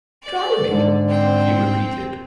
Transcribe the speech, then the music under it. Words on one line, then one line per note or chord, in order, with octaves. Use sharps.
"Try me," she repeated.
D5
G#2 D3
C4 G5